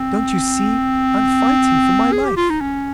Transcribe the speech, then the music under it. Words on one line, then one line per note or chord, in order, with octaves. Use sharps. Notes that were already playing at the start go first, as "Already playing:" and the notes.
Don't you see I'm fighting for my life?
Already playing: C4
G#4
G4
F4
D#4
C#4